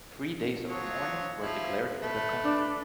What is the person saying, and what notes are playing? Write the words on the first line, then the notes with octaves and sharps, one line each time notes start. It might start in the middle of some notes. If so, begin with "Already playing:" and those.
Three days of mourning were declared in the country.
F3 F#3 C#5
F3 E4
A3 B4
D4